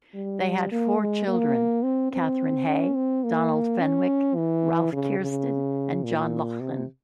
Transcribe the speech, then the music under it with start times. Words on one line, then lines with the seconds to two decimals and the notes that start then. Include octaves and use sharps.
They had four children : Katherine Hay, Donald Fenwick, Ralph Keirstead and John Lauchlan.
0.15 G3
0.72 A#3
0.99 G#3
1.27 A#3
1.83 C4
2.12 C4
2.67 C#4
2.96 C4
3.24 A#3
3.80 C#4
4.36 E3
4.92 C#3
5.20 C#3
6.04 A#2
6.60 C3